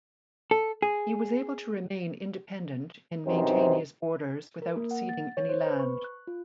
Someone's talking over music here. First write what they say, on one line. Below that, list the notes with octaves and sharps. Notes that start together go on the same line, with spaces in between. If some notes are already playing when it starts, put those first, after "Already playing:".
He was able to remain independent and maintain his borders without ceding any land.
A4
G#4
F#2 C3 E3 C4 D#4 C5
A#4
A#3
F#5
A6
C#5
C5
B4
C#6
F#6
F4